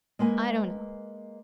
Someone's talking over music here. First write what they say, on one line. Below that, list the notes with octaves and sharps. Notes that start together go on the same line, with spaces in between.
'I don't know.
G#3 A#3 B4 G#5